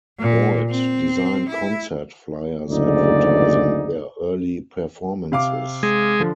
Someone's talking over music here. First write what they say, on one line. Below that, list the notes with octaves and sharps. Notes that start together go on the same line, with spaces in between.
Boyd designed concert fliers advertising their early performances.
A#2
C4
E4
F#1 D2 G#2 D#4 D5
C3 F5 D6
G#3
D3 F3